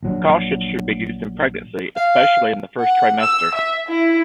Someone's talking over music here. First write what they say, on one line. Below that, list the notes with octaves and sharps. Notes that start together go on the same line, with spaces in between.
Caution should be used in pregnancy, especially in the first trimester.
A#1 F#3 D4
F5
F#5
E6
E5
E4